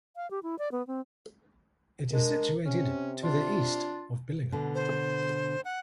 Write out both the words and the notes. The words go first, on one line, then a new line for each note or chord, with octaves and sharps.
It is situated to the east of Billingham.
F5
G4
E4
D5
B3
C4
G#3 D4 A#4
C3 C#4
D4 F4
B2 D3
C5
F#5